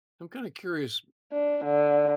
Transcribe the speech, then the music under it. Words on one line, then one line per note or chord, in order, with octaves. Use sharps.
I'm kinda curious.
D4
D3